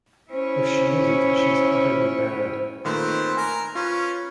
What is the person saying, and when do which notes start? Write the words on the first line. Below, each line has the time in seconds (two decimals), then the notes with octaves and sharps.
If she isn’t she’s utterly bad.
0.31 C#4 E4 C5
2.85 A#2 D#3 A3 C4 B4 C5
3.37 A#4 G#5
3.75 C#4 F4 B4